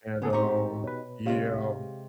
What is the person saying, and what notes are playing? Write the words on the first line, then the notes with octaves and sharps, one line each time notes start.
and, um, yeah,
C#3 B3 G#4 A4
A2 C4 D#4 G4 A#5 C#6
B2 B4 C#5
C3 G#3 C#4 G4 F5